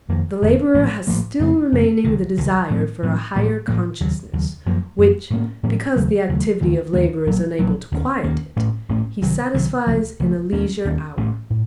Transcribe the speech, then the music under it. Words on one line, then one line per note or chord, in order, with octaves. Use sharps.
The laborer has still remaining the desire for a "higher consciousness," which, because the activity of labor is unable to quiet it, he satisfies in a leisure hour.
F1 F2 D#3 A#3
F1 F2 D#3 A#3
A#1 A2 F3 A#3
A#1 A2 F3 A#3
F2 C#3 A3 C4
F2 C#3 A3 C4
C#2 C3 D#3
C#2 C3 D#3
A2 F3 C4
A2 F3 C4
A1 A2 F3 A#3
A1 A2 F3 A#3
D#2 C#3 F#3
D#2 C#3 F#3
F#2 F3 A#3
F#2 F3 A#3
A2 F3 A#3 C#4
A2 F3 A#3 C#4
D#2 C#3 F#3 A3
D#2 C#3 F#3 A3
D#2 D#3 A3
D#2 D#3 A3
A#1 A#2 F#3
A#1 A#2 F#3
D#2 D#3 A#3 C#4
D#2 D#3 A#3 C#4
A1 A2 A3 C#4
A1 A2 A3 C#4
C2 C3 D#3 F#3
C2 C3 D#3 F#3
C#2 C3 F3 A3
C#2 C3 F3 A3
D#2 D#3 A#3 C#4
D#2 D#3 A#3 C#4
A1 A2 A3 C#4
A2